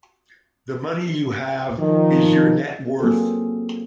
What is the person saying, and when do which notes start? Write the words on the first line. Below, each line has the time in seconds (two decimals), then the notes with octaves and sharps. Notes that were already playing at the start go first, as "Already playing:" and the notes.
The money you have is your net worth.
1.79 D#3 F3
3.00 F#3 A#3 C4 F4 G#4 A4